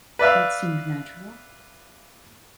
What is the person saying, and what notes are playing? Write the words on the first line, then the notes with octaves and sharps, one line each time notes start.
That seems natural.
B4 D5 E5 F5